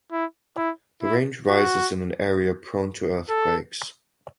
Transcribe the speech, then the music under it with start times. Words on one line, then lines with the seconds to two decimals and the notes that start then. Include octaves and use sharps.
The range rises in an area prone to earthquakes.
0.12 E4
0.57 E4
1.02 E4
1.48 F#4
3.29 A4